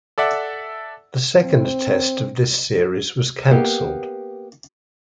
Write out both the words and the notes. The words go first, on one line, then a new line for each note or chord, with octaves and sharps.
The second test of this series was cancelled.
A4 D5 E5 F#5
C4
A#3 B3 G4